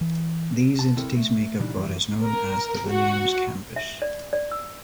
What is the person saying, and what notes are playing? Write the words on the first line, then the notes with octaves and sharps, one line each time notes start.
These entities make up what is known as the Williams Campus.
E3
A5
C#2 C4 E4 A4 A#4
A3
A#2 C#3 E3 G3 D4 D#4
F#2 E3
A#4
F#4
E5
D5
D5
E6